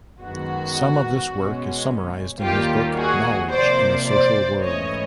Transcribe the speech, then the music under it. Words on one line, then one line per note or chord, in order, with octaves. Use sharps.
Some of this work is summarized in his book "Knowledge in a Social World".
F#2 D#3 G#3 B3 F#4
B2 G#3 C#4
D#2 D#3 G3 A#3 F4 G4
F#4 G#4
C3 F3 A#3 C5 D5
C5 D5
G#2 E3 A3 C#4 C#5 D#5